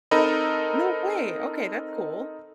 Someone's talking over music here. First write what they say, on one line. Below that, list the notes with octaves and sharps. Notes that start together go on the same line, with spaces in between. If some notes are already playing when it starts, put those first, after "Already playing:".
No way, okay, that's cool.
C4 D#4 A4 A#4 D#5 B5